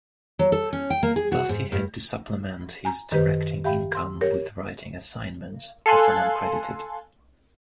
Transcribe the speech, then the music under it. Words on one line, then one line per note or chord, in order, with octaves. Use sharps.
Thus, he had to supplement his directing income with writing assignments, often uncredited.
F#3
A4
C#4
G5
A#3
G#4
F#4
G#2
G2
G#5 A#5
F#2 D#3 G4 B4 C5
G4 E5 F5 G5 B5
C6 E6
G4 A#4 C#5
A4 F5 G#5 C6 F#6